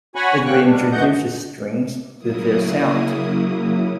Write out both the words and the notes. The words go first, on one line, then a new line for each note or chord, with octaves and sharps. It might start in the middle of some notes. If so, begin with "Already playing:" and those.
It reintroduces strings to their sound.
F#4 C#5 F#5 G#5 B5 C#6
A#3 C#4 G5 C#6 F#6
B2 G3 D4
F#2 E3 A3 D#5 F#5 G6
C#3 F#3 A#3 E4 D#6